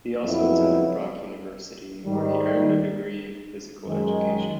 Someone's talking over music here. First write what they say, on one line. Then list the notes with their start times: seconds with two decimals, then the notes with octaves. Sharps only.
He also attended Brock University, where he earned a degree in physical education.
0.23 F2 C#3 F#3 B3 E4
2.05 G#2 D#3 G3
3.85 F#2 D#3 G#3